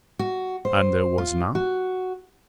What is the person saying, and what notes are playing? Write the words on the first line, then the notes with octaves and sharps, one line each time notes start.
"And there was none?"
F#4
C5
F4
F#4